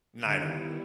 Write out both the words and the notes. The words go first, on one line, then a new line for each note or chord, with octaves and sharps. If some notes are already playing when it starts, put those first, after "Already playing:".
Night owl.
D3 G3 B3 E4
D#3
D#3